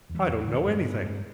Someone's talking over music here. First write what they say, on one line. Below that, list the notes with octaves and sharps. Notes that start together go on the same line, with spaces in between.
I don't know anything.
E2
E3 G3
E2
E3
E2 D3
E3
G2 G3 B3
G2 B3 D4
B3
G2 A3 C4